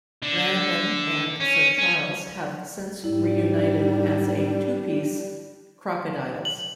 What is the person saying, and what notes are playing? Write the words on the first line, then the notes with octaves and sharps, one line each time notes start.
Brandon and Sir Charles have since reunited as a two-piece; Crocodiles.
D3
C#4
C#4
G#2 G3 D4 E4
F#7